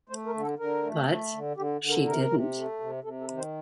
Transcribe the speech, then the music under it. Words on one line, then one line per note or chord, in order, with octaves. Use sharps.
But, she didn't.
A3 C5
A#4
D3
A4
D3 A#4
A3
A3
D3
D3 G4
D3
A#4
C3 A#4
C3
A3
C3
C3 A4
A4
D#3
C5